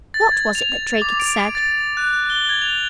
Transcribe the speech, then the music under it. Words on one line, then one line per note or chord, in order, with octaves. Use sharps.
What was it that Drake had said?
A6
G#6
F7
D6
D7
A6
F#6
G7
G#6
F7